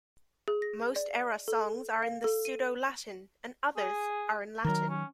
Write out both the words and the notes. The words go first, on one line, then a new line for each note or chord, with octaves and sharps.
Most Era songs are in Pseudo-Latin and others are in Latin.
G#4
A#6
D5
A4
F5
A4
D#7
G#4
D#3 F#3 A#4
C#4